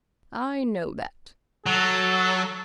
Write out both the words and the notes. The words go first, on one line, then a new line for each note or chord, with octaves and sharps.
I know that.
F#3 A4